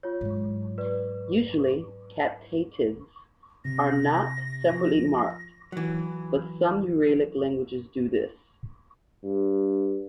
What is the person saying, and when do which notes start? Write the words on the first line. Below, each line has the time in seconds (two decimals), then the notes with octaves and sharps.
Usually captatives are not separately marked, but some Uralic languages do this.
0.03 F4 C#5
0.21 G#2 F#3
0.78 B4 D5
3.65 C3 A#6
4.70 F3
5.72 E3 F#3
9.24 G2